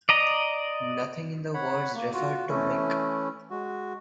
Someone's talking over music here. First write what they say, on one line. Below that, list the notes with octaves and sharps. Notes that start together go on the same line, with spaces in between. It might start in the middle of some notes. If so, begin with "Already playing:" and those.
Nothing in the words referred to Mick.
D5 D#5 A#5
C#5 F#5 B5
A#3
F4 F#4
E3 A3 C#4 E4
G#3 F#4